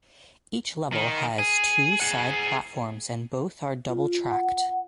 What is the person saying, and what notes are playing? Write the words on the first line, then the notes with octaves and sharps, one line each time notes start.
Each level has two side platforms and both are double tracked.
D#3
G#4
G#4 F#5
F4
F#5